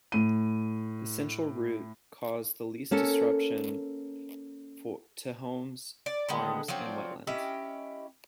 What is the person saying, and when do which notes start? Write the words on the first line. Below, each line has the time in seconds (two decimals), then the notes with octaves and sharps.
The central route caused the least disruption to homes, farms and wetlands.
0.12 A2 D#7
2.91 A#3 C#4 A4
6.06 D5
6.29 D3 D#3 G#3 B3
6.68 F3 F#3 C4 D5
7.27 C#4 E4 G4 D#5